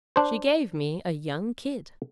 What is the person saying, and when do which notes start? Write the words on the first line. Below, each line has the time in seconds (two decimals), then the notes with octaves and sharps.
'She gave me a young kid.'
0.16 D4 C5